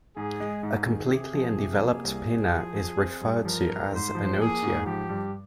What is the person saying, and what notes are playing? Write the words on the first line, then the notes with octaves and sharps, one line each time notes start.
A completely undeveloped pinna is referred to as anotia.
G#2 G#4
G#3
G#2 G#4
D#3
C3
F3
C3
A#3
C2 G#4
C2
F3
F3
C4
G2
F3 A#4
G2
G#2 C5
F3
A#3 G#4
G#2
F3 G4
G2